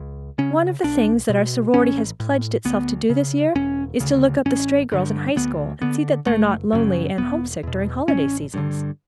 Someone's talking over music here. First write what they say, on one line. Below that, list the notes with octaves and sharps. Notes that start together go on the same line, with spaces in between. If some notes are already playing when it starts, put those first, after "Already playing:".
One of the things that our sorority has pledged itself to do this year is to look up the stray girls in High School, and see that they are not lonely and homesick during holiday seasons.
Already playing: C#2
C#3 C#4
B1 D4
B2
A1 C#4
A2
D2 B3
C#3
E1 C#4
D2 C#3
A1 C#4
G2 D3
D2 B3
D3 B3
F#1 A3
F#2 C#3
E1 B3
E2 B2
A1 C#4
G2 D3